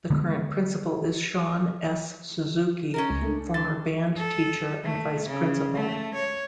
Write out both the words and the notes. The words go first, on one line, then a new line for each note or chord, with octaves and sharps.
The current principal is Shawn S. Suzuki, former band teacher and vice-principal.
D3 G#3 B3
C#4 D#4 A#4
C#2
A3 D4
D3 A6
A4
A3
C#3
A3
C#5